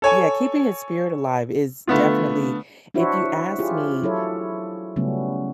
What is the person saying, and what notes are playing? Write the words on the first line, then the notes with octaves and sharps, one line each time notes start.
Yeah, keeping his spirit alive is definitely If you ask me,
A4 C#5 G#5
D3 A3 B3 F4
D4 E4 F#4 C5 C#5 E5
E4 F4 G4 G#4
F#3 E4 A4 C#5
C#3 F#3 G3 A3 B3 C#4